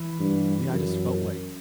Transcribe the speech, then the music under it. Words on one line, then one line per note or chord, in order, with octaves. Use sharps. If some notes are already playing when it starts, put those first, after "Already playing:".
but, yeah, I just felt I
Already playing: E3
G2
F#2